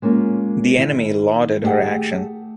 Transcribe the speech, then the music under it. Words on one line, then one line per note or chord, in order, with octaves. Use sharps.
The enemy lauded her action.
G#3 A#3 C#4 F4
D#3 E4
A3 C#4 G4 G#4 F#5